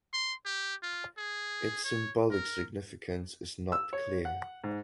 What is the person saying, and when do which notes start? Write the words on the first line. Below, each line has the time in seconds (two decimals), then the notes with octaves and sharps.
Its symbolic significance is not clear.
0.13 C6
0.45 G4
0.83 F4
1.18 G#4
1.84 C#5
2.31 A#4
3.72 E6
3.93 C#5
4.25 F#5
4.64 G#2